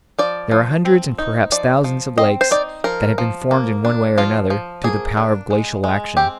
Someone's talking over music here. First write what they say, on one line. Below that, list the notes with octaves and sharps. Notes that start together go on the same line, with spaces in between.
There are hundreds and perhaps thousands of lakes that have been formed in one way or another through the power of glacial action.
F3 D5
F3
C4
D#4
F3 D5
F3
C4 D#5
C5
D#4 D5
F3 A#4
F3
A#3
D4
F3 F4
F3
A#3 G#4
D4
G#3
G#3
C4 G4